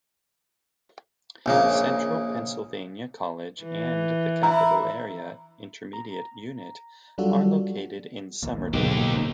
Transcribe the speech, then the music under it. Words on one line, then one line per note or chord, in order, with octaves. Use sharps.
Central Pennsylvania College and the Capital Area Intermediate Unit are located in Summerdale.
A#1 C#3 A#3
E3
E4 A#5
A#5
F#3 G3 D4 F4 F#4 A4
A#1 D#2 A#2
D1 B1 G#2 D3 A#3 D#4 G4